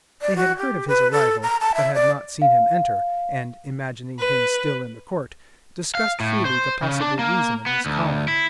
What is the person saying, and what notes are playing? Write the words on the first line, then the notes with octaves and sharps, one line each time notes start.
They had heard of his arrival, but had not seen him enter, and, imagining him still in the court, discussed freely the possible reason of his calling.
D5
F#4
G4
B4
A4
A#5
A5
E5
D5
F5
B4
F5
A2
C5
C#3
D4
A#3
B3
D2
E4